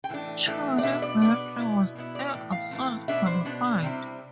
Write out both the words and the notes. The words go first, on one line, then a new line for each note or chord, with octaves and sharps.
Charlie battery was air assault qualified.
G5
A2 E3 A3 D4
A2 E3 A3 D4
D5
B2 B3 D4 E5
D5
B2 B3 D4 D5
B2 B3 E4
B2 B3 E4
D5
A2 E3
F5
A2 E3 A3 C4
B2 B3 D4 E5
C5
B2 B3 D4
C3 G3 C4 E4